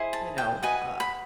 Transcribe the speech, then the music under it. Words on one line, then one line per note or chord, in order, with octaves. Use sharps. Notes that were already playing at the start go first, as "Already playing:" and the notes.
you know, uh
Already playing: E4 G#4 C5 D#5
A5
G5
F#4 B4 D#5 G#5
B5